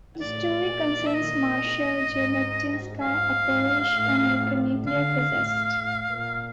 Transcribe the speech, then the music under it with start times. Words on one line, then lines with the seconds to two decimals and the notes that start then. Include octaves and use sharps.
The story concerns Marshall Zebatinsky, a Polish-American nuclear physicist.
0.21 A2 D5
0.69 A#2
1.06 E5
1.14 D#5
2.07 G#2
3.02 G#2 F5
3.48 G#2
3.94 A2
4.87 D3 F5
5.35 A2
5.81 A2
6.12 A#2